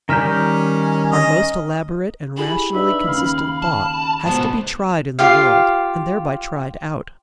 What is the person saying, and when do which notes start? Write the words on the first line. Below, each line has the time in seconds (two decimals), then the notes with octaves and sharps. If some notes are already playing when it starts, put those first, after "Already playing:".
Our most elaborate and rationally consistent thought has to be tried in the world and thereby tried out.
0.09 D#3 G3 C#4 A#5 F6 G6 B6
1.12 D#5
2.37 E4 G4 G#4 B5
2.74 D4 D#4 B4 E5
3.07 D#2 C#3 F5
3.62 A5
4.25 G#2 B2 B3 C5 A5
5.19 F4 G4 F5